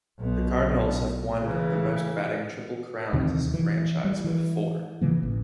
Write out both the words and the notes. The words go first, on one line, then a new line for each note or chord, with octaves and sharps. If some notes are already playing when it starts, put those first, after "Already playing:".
The Cardinals have won the most batting Triple Crowns as a franchise with four.
B1 B2
C#3 E3
D#2 C3 D#3 E3
E3
G3
E3
C#3 E3 A#3
A1